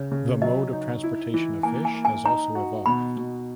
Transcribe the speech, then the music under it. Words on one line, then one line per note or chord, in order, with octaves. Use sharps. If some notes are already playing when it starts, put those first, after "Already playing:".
The mode of transportation of fish has also evolved.
Already playing: C#3 C#5
C#3
F#3 D#5
D#4
E4
E3
A#3 G#5
G#5
A#3
G#5
D#4 A#5
F#4
B2 B5
B2